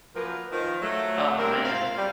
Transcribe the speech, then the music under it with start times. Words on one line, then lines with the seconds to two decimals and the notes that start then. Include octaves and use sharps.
Oh, man.
0.15 F#2 F3 A#3 A#4 B4
0.52 D#3 F3
0.82 F#3 A3
1.38 G2 C4 A#4
1.65 F4 C5 F5
1.97 G3